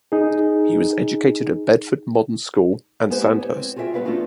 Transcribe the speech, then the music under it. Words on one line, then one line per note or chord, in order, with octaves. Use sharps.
He was educated at Bedford Modern School and Sandhurst.
D#4 G#4
G#3 B3 E4 G4 B4 C5
C#5
C4
F4 F#4 G#4 A#4 E5 G5
G3 B3 A#4 B4 C#5 F5
A3 B3 C#4 D4 F4 F#4